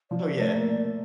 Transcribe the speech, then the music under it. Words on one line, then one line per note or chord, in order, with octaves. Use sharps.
Oh, yeah.
F3 D5
A3
A#3
A#3